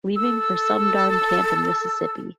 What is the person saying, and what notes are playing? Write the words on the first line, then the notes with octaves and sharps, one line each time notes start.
Leaving for some darn camp in Mississippi.
A4 E6